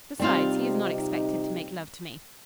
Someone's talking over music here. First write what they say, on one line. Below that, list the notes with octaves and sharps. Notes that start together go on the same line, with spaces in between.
Besides, he is not expected to make love to me.
C3 G3 C4 D#4 F4 G4